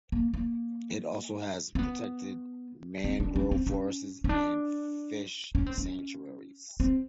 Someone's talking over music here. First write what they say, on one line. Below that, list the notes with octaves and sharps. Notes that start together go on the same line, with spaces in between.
It also has protected mangrove forests and fish sanctuaries.
A#3
A#3
C4
B3
C4
D4
C#4
C4
C#4
C#4
D4
C#4
C4
C#4
C4